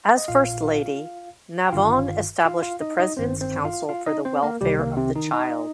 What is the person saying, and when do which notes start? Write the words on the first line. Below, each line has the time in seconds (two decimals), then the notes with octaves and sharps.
As First Lady, Navon established the President's Council for the Welfare of the Child.
0.17 D#5
0.28 A#1 A#2 F4 F5
1.68 G5
1.72 G1 G2 D#3 F4 F5
2.45 F4 F5
2.62 F4 F5
2.81 D#4 D#5
2.99 D#4 D#5
3.17 G1 G2 D#3 C4 C5
3.41 C4 C5
3.65 F4 F5
3.89 F4 F5
4.06 D#4 D#5
4.25 C4 C5
4.43 A#3 A#4
4.61 C2 C3 D#3 G3 G4
4.79 A#3
4.97 C3 C4
5.15 D#3 D#4
5.33 D#4 D#5